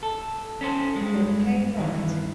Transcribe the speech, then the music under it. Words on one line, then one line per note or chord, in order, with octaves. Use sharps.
The Pilot.
A4
C#4 A4 C5
G2 G#3
G2 D#3 E3